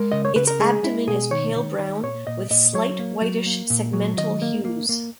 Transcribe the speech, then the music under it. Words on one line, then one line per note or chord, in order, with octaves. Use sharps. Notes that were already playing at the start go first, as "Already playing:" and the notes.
Its abdomen is pale brown with slight whitish segmental hues.
Already playing: G#3 A#4
C#3 D#5
C#5
C#3 B4
A#4
G#3 G#4
G#3 E4
B2 G#4
D#3 C#5
D#3
D#3
A#2 C#5
A#2 D#5
A#2 D#5
F#3 C#5
A#3
F#3
A#3
A#2
F#3
D#3 D#5
A#3
A#3
A#3